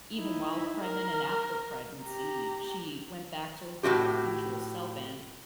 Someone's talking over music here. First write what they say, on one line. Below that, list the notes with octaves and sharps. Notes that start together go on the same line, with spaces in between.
even while pregnant and after pregnancy, she went back to her usual self and,
D#4 E4
A#4
G4 A#5
A2 C4 F#4 G4